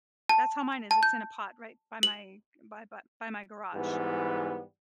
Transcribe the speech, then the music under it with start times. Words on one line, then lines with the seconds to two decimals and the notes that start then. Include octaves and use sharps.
That's how mine is, it's in a pot right by my by by my garage,
0.29 A5
0.91 A5
1.03 G6
2.03 F#7
3.74 G#2 E3 G3 B3